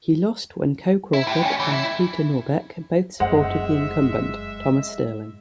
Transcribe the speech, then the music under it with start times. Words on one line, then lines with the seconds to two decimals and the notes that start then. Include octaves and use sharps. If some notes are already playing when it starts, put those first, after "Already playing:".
He lost when Coe Crawford and Peter Norbeck both supported the incumbent, Thomas Sterling.
1.13 E4
1.27 A2 G4
1.42 D2 C#4
1.60 E3 A3
1.72 E4
3.20 F1 F#2 G#3 C5 E5 F#5